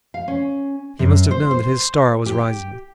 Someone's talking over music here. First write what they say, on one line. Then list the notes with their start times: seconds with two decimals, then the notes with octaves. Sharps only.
He must have known that his star was rising.
0.14 F5
0.28 C#4
0.99 F#2
1.31 C5
1.51 C5
2.26 G4